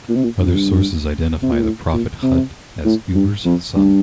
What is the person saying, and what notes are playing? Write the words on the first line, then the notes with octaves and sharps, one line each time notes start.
Other sources identify the prophet Hud as Eber's son.
A#2
C3
A#2
G2
F2
G2
C3
A#2
A2
A#2
C3
A2
G2
F2
G2